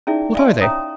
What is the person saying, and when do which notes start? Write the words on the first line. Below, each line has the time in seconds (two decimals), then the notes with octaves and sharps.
"What are they?"
0.07 C#4 D#4 E4 G#4 D5 E5
0.35 D5 E5 F5 G#5 A5 C6
0.61 C#4 C#5 E5 A#5 D#6